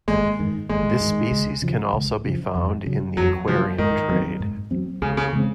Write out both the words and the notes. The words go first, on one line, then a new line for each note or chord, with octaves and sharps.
This species can also be found in the aquarium trade.
G#1 G#3
G#2 D#3
G#1 G#3
G#2 D#3
C#2
C#3 F3
C#2
C#3 F3
F2
C#3 F#3
F2 F#3
C#3 F3 F#3
G#2 D#3
F#3 C4
G#2
F#3 C4
C#2 C#3
C#3
C#3 G#3 C4